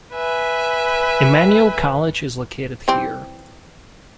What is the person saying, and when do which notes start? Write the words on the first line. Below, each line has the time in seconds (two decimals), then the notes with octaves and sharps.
Emmanuel College is located here.
0.14 B4 E5 G#5
2.88 E3 G3 C4